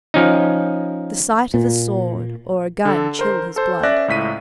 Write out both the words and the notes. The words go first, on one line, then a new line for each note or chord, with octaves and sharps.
The sight of a sword or a gun chilled his blood.
F3 C#4 D#4
A#2
D3 A4
A#4 C5 C6
A4 C5
C#4 D5 E5 F#6 A#6
C#2 A2 B6 D#7